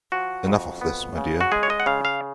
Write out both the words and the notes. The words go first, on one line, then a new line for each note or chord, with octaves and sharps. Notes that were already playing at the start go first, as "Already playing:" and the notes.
Enough of this, my dear!
F3 F#4
F2
B3
C#3
F#4
G#3 G#4
C#5
D#5
F#5
C#3 F5
F5